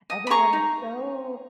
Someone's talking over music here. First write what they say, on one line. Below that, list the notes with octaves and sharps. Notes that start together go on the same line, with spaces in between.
everyone is so,
D#5
B5
G#4 A#5 C#6
D#4